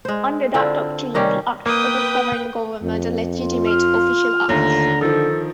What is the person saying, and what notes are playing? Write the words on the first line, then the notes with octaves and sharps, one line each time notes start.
Under that doctrine, the acts of a sovereign government are legitimate, official acts.
G#3 C5
D3 C4 E4 F4
C3 D#3 G3 C#4
A#3 B4 G5 D#6
F2
F4
F6
D#2 D3 A3 A#5
D#3 F3 A4